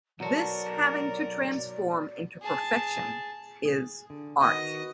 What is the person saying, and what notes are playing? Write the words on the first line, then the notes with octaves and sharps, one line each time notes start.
This having to transform into perfection is-art.
B1 F#3 F#4 A#4 C5 D5 A5
G#4 A5
G#4
D3
D#3 B3 F#4 D#5